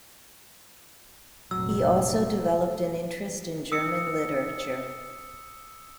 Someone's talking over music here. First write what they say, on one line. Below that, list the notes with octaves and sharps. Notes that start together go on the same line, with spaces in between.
He also developed an interest in German literature.
F1 A#2 F#3 E6
D#6 E6 C#7